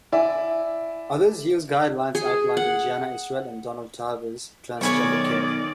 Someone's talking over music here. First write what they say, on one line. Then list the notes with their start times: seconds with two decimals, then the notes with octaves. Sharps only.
Others use guidelines outlined in Gianna Israel and Donald Tarver's "Transgender Care".
0.12 E4 D5 E5 G#5
2.15 G#4
2.57 F#5
4.81 B1 D#3 C#5 D5 G#5 B5 C#6